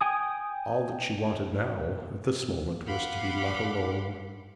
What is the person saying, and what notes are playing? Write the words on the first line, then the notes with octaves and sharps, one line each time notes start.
All that she wanted now, at this moment, was to be let alone!
G5 G#5 D#6
F5 F#5 B5 C6 D6